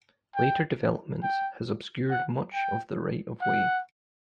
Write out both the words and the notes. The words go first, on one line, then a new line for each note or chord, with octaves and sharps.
Later development has obscured much of the right of way.
G5
G5
F#5
G5
F#5